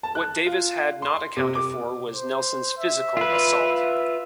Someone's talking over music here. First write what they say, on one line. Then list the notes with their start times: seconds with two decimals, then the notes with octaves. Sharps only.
What Davis had not accounted for was Nelson's physical assault.
0.03 A5
0.15 F#6
0.47 F4
1.02 C6
1.37 C3
1.55 D6
2.13 C5
2.78 E5
3.17 F4 B4
3.75 E5